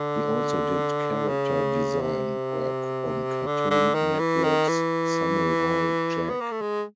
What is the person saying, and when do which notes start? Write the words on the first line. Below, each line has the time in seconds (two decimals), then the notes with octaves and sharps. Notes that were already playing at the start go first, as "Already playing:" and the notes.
He also did character design work on Cartoon Network's "Samurai Jack".
Already playing: D3
1.28 C#3
2.01 C3
3.47 D3
3.71 D3
3.94 D#3
4.19 E3
4.44 D#3
4.68 E3
6.30 B3
6.41 A#3
6.52 A3
6.61 G#3